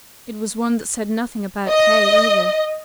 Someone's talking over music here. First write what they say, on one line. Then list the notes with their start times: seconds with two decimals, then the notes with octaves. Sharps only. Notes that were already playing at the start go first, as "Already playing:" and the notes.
It was one that said nothing about Kay either.
1.69 D#5